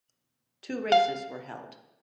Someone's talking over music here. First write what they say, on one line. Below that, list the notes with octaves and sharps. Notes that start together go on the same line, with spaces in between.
Two races were held.
F5